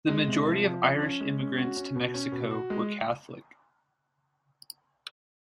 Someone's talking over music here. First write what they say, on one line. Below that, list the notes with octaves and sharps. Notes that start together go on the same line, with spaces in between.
The majority of Irish immigrants to Mexico were Catholic.
G#3
C3
F3
F3
C#4
C#4
G#3
C#4
F#4
C#4
B2
C#4
B2
F#4
G#3